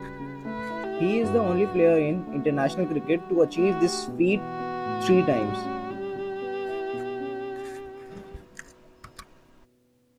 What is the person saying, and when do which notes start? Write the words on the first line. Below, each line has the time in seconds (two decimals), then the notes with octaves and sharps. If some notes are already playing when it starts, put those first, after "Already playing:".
He is the only player in international Cricket to achieve this feat three times.
Already playing: C#3 F#3 G3 B4
0.19 C#3
0.45 A3 B4
0.70 E4
0.84 G4
0.97 E4
1.23 G2 F#4
1.49 G2
1.75 A3
2.00 D4 F#4
2.27 A3
2.53 E3
2.79 G3
3.04 G3
3.30 D4
3.56 A3 F#4
3.83 G4
4.08 B2
4.35 E3 F#4
4.60 B3
4.86 A2
5.12 C#4
5.38 G3
5.64 C#4
5.90 G3 G4
6.15 G3
6.42 B3
6.68 E4
6.93 B2
7.20 C#4